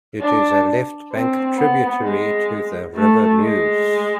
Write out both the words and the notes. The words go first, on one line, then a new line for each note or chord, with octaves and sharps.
It is a leftbank tributary to the river Meuse.
D4
C4
B3
G#3
A3
G#3